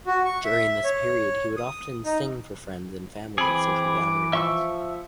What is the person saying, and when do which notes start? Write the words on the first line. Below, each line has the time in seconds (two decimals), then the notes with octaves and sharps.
During this period, he would often sing for friends and family at social gatherings.
0.07 F#4
0.25 C#6
0.45 E5
0.84 C#5
1.57 D#6
2.05 D#4
3.38 E3 C4 G#4 B5 D6
4.33 F3 E5 C#6 E6